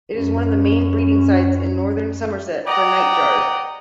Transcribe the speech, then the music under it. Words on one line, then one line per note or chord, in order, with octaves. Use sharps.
It is one of the main breeding sites in northern Somerset for nightjars.
F#2 C#4
D5 D#5 F#5 G5 A#5